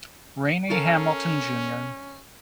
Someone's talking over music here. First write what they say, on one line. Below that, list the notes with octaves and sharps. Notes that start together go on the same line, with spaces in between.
Rainy Hamilton Jr.
C#4 A4 A#4 F5